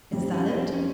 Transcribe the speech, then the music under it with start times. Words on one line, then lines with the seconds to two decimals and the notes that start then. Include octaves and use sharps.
Is that it?
0.12 F1 F2 C3 G3 C4
0.33 C#4
0.53 C4
0.73 C#4